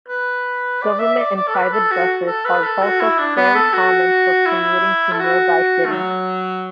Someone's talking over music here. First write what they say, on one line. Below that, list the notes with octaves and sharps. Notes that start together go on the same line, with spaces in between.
Government and private buses are also very common for commuting to nearby cities.
B4
D5
E5
E5
D5
D5
A4
B4
A4
F#4
A4
B4
A4
F#4
E4
D4
B3
A4
F#4
E4
A4
F#4
A3
F#3